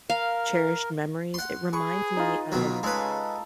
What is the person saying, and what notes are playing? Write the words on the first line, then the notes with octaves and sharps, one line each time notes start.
cherished memories, it reminds me of
A#4 F5
F#5 C6
G#4 B4 C#6
D#4 F4
F2 B2 F#3
C#3 G#3 A4 B4